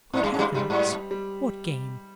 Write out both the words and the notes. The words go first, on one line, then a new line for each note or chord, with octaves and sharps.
"Good heavens--what game?"
G#2
G2 G#3
G#2
G2 G3
G2 G3
G#2
G3